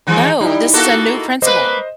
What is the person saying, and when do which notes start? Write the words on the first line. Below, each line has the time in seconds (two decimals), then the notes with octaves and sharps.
No, this is a new principal.
0.07 D#3 E3 G#3
0.41 G3 D#4 E4
0.74 A#3 F#4 A4
1.42 A#3 B4 C5 D#5